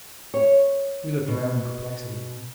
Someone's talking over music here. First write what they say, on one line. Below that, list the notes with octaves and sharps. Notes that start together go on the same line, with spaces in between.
We looked round in perplexity.
C#5
B2